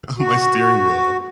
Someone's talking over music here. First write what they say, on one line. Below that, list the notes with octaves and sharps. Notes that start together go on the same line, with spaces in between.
on my steering wheel,
F#4